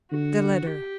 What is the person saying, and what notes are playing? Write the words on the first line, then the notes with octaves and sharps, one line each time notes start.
The letter!
D3 F#4
G4